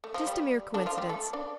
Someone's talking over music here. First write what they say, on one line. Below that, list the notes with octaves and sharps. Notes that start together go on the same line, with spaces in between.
Just a mere coincidence.
A3
F3
G3
D3 D4
F3 F4
G3 G4
A3 A4
D4 D5